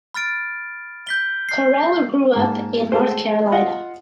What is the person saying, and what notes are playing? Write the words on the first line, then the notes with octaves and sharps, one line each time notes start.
Correll grew up in North Carolina.
B5 F6 A6 D7
G6 B6 G7
C7
G#2 A#3 A5
G#3 A3 C5
F4 D#5 F5 F#5